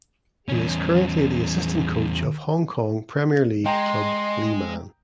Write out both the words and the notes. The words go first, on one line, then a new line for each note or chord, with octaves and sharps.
He is currently the assistant coach of Hong Kong Premier League club Lee Man.
E2 C#4
G#3 D#5 G5 A#5 C6